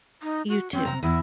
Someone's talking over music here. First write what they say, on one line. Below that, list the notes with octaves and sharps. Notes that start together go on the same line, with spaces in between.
You too.
D#4
F#4
C4 C#4
C3 A#5
E2 E4